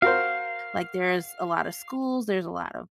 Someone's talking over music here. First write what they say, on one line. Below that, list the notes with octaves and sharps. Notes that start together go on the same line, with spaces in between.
Like, there's a lot of schools, there's a lot of
F#4 A#4 C5 F5